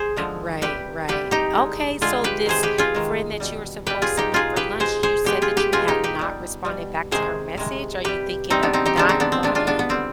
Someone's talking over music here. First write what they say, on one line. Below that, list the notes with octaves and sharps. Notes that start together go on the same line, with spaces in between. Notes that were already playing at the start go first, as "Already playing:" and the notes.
Right, right, okay, so this friend that you were supposed to meet for lunch, you said that you have not responded back to her message, are you thinking of not going?
Already playing: G#4 C5
D3 F3 G#3
C3 G3 G4 B4
C3 G3 G4 B4
D#4 G4
D3 G#3
D3 G#3 F4 G#4
G4 B4
C3 D#3 G#3 G#4 C5
G4 B4
F4 G#4
C3 D#3 G#3
B2 G3
B2 G3 G4 B4
F4 G#4
D#4 G4
B2 G#3 F4 G#4
G4 B4
B2 G#3 G#4 C5
G#4 C5
B2 G#3 G4 B4
F4 G#4
G4 B4
B2 G#3 F4 G#4
D#4 G4
G4 B4
B2 G3
B2 G3
C3 D#3 G#3 G#4 C5
C3 D#3 G#3
C3 G3 G4 B4
C3 G3 C4 D#4
B3 D4
C4 D#4
D#4 G4
C3 D#3 G#3 B3 D4
C4 D#4
B3 D4
C4
C3 D#3 G#3 B3 D4
D4 F4
B3 D4
B3
D3 G3 C4